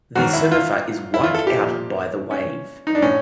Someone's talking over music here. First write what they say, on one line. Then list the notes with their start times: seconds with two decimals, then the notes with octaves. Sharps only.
The surfer is wiped out by the wave.
0.15 G#2 D#3 F#3 F#4
0.33 E4
0.52 F4
1.14 E4
1.23 F4
1.35 A4
1.47 G4
1.59 A#2 F3
2.31 C#4
2.87 D#4
2.95 D4
3.02 A2 C#4